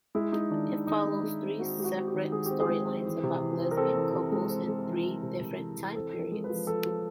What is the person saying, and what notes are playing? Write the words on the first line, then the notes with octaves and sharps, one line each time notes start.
It follows three separate storylines about lesbian couples in three different time periods.
G#3 E4
G#3 D#4
D#3 D4
D#3
D#3 D#4
G#3
G#3
C4
C4 F#4
G#3 G4
F#4
C4
G4
D#3
G#3 G#4
C4 G4
G#4
G#3
C4
E3
C3
E3
C4
A#4
C4 A4
E3
C3
G#3
C4
G#3
E3
E3
C3
C3
E3
E3
C4 A4
F3
A#4
G#3
B4
F3
F3 A4
F3